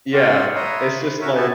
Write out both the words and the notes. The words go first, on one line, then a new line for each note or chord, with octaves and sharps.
Yeah, it's just, like
G4 C#5 D5 F5 F#5 C6
B4 C#5 E5 A#5 C6 D#6
B5
F#4 A#4 B4 C#5 E5
B3 E4 G4 A4 G#5 A5